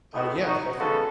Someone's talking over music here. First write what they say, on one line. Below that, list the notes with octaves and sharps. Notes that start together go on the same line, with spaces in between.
Uh, yeah, the whole thing
A2 G#3 B3 D#4 F#4
D#4 F#4
C#3 G#3 B3 F#4 A4